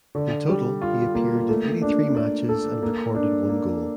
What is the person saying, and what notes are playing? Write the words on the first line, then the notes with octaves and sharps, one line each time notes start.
In total he appeared in eighty three matches and recorded one goal.
D3
G3
F4
A#3
A3
D4
D5
A4
A#3
D4
A#3